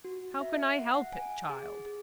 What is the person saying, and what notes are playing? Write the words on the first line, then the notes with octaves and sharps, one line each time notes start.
How can I help it, child?
F#4
E5
F#5
F#5
G#5
G#4
G#4